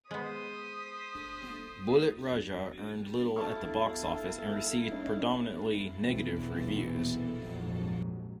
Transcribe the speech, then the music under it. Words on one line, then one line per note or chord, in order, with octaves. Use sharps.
"Bullett Raja" earned little at the box office and received predominantly negative reviews.
G#3 B3 C5 D#6 B6
E4 A4 F5 A5 C#6
C#4 D#4
B1 E2 A#2 E3 B3 C4
A#1 F2 G#2 C3 F#3